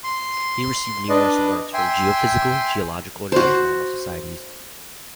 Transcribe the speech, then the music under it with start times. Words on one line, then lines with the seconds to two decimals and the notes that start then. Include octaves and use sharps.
He received numerous awards from geophysical, geological and astronomical societies.
0.04 C6
1.09 D4 B4 D5 D#5
1.74 E5 G5 G#5 C6
3.32 F#4 C5